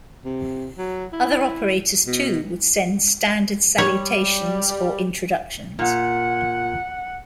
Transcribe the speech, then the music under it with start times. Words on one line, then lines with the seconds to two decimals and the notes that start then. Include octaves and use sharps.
Other operators too would send standard salutations or introductions.
0.25 C3
0.78 F#3
1.13 E4
2.07 B2
3.78 G3 C#5
5.79 A#2 F#5